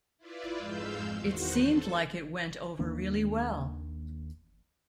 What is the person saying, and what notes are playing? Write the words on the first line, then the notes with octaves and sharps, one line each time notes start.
It seemed like it went over really well.
E4 F4 B4 D5
F2 G#2 G#3 F5 E6 G6
E2 D#3 F#4 C5
A4
D#2 D#3 A#3 D4